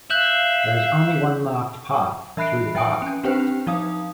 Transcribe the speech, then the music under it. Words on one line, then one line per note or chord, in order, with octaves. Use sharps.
There is only one marked path through the park.
E5 F5 F#6 G6 F#7
E3 E5 B5 F#6 C7 D7
F3 E5 G5 G#5 D#6 D7
C#4
C4 D4 G4 B4 C5 G5
F3 D#4 F5 D#6